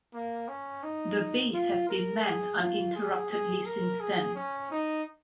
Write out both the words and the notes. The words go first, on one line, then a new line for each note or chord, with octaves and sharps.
The base has been manned uninterruptedly since then.
A#3
C#4
D#4
F4
A#4
G#4
F4
G#4
G#4
A#4
G#4
C#4
D#4